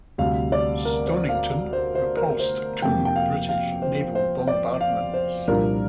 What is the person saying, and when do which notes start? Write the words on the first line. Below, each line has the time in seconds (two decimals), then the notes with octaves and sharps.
Stonington repulsed two British naval bombardments.
0.18 D2 C3 G3 F5
0.52 D5
0.85 A#4
1.06 C5
1.29 F5
1.73 C5
1.95 C5
2.17 A#4
2.39 C5
2.82 F2 C3 A#3 G5
3.05 G5
3.16 F5
3.49 F5
3.82 C5
4.15 C5
4.47 D5
4.81 F5
5.14 C5
5.48 C2 A#2 F3 D4 A#4